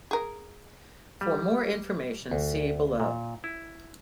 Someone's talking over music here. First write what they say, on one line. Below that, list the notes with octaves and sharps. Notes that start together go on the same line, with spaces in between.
For more information, see below.
G#4 A#4
G3
D2
A#2
E4